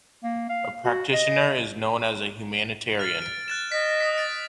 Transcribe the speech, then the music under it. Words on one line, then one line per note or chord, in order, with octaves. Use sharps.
A practitioner is known as a humanitarian.
A#3
F5
F#4
D#5
F6 A6
D7
F#6 A6 E7
D#5 B6
D#6 B6
A6 D7